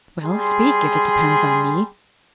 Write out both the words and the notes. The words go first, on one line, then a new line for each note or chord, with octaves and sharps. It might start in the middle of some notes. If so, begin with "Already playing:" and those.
"Well, speak, if it depends on me."
G3 G#4 C6